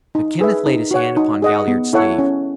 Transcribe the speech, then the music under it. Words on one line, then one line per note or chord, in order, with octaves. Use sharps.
But Kenneth laid his hand upon Galliard's sleeve.
D#4
G#4 B4 E5
D#4
F#4 C#5 F#5
D#4
G#4 D#5 F#5
B3
E4 A4 C#5 F#5
C#4